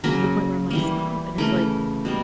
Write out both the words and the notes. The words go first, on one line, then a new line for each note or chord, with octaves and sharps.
to the point where I'm, like, "Stop." And it's, like,
C#3 F#3 A#3 A#4
E3 G3 A#3
C#3 E3 A3 A#4
B2 G3 A#3